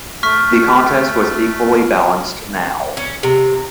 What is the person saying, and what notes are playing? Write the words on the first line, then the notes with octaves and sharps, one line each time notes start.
The contest was equally balanced now.
A3 C#6 F6 B6
C#4
C3